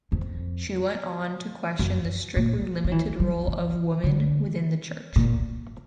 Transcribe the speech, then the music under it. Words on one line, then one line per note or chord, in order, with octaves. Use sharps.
She went on to question the strictly limited role of women within the church.
F2
F#2
A#2
F3
E3
F#3
E3
D3
A#2